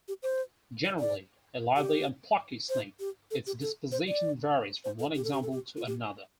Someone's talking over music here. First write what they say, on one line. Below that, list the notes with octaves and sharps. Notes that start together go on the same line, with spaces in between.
Generally a lively and plucky snake, its disposition varies from one example to another.
G4
C5
D5
D5
G4
C5
G4
A4
G4
A4
C5
D5
C5
A4
G4
A4
G4
A4
G4
F4
G4